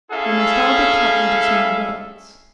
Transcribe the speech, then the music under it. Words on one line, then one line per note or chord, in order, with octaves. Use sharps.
They must all be cut into small bits.
C#4 E4 G#4 A4 E5 F5